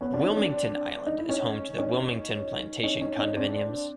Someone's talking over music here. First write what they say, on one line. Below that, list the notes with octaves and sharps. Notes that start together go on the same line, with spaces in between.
Wilmington Island is home to the Wilmington Plantation condominiums.
B3 C#4
C4 D4
C#4 D#4
C4 D4
D#4
E4
C#4 D#4
C#4 D#4
C#4 D#4
C#4 D#4
C#4 D#4
C4 D4